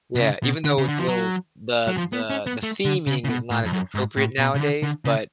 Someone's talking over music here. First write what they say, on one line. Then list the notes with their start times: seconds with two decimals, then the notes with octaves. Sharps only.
Yeah. Even though it's a little The the the theming is not as appropriate nowadays, but,
0.15 B2
0.21 C#3
0.43 B2
0.65 D3
0.78 C#3
0.88 D3
0.98 F3
1.08 F#3
1.87 F#3
1.97 F3
2.13 B3
2.30 C#4
2.47 B3
2.63 A3
2.85 D3
3.07 C#3
3.24 C#3
3.29 B2
3.51 A2
3.65 F2
3.73 F#2
3.95 G#2
4.17 A2
4.39 B2
4.55 C#3
4.61 D3
4.83 D3
5.05 C#3